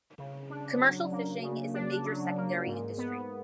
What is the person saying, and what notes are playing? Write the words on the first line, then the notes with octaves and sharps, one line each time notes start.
Commercial fishing is a major secondary industry.
C#3
D4
F#3
A#3
C#3
D4
F#3
A#3
G#2
B3